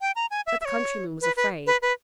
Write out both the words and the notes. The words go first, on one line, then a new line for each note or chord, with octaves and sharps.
But the countryman was afraid.
G5
A#5
G#5
E5
E5
C#5
B4
B4
B4
B4